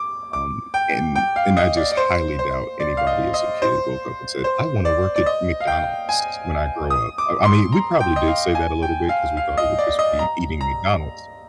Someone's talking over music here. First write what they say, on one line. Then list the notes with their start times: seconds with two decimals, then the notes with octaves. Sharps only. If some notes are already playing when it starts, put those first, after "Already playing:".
Um, and and I just highly doubt anybody as a kid woke up and said, "I wanna work at McDonald's when I grow up," I I mean, we probably did say that a little bit 'cause we thought it would just be eating McDonald's,
Already playing: D6
0.33 D6
0.74 G5
1.16 G5
1.36 F5
1.57 D#5
1.77 D5
1.92 D5
1.97 C5
2.39 C5
2.80 D5
2.97 F5
3.07 D#5
3.34 D#5
3.62 C5
4.44 C5
4.85 D5
5.16 D5
5.26 D#5
5.60 F5
5.67 G5
6.09 G#5
6.90 D#6
7.18 D6
7.45 C6
7.72 A#5
8.00 G5
8.16 D#5
8.28 F5
8.55 G#5
8.82 G5
9.09 F5
9.37 F5
9.58 D#5
9.78 D5
9.99 D#5
10.19 A#5
10.61 A#5